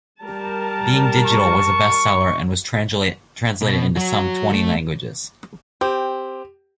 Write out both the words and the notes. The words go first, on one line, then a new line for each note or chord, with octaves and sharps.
"Being Digital" was a bestseller and was translated into some twenty languages.
G3 A#4 A5
C#6
B2
F#3 F#4
A3
C4 G4